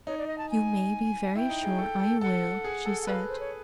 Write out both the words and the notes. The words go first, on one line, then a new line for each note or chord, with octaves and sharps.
"You may be very sure I will," she said.
D#4 C#5
D5
D#5
A5
G#5
E4 G5
D#4
G#4
A4
A4
A4 F#5
G#4
A4
F#5
B4 F5
C5
C#5